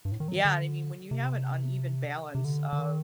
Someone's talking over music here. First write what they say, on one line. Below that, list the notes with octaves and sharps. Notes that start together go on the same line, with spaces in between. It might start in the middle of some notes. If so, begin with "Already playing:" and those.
Yeah, I mean, when you have an uneven balance of
G2
A2
D#3
F#3
D#3
D3
C3
C3
D3
D3
D#3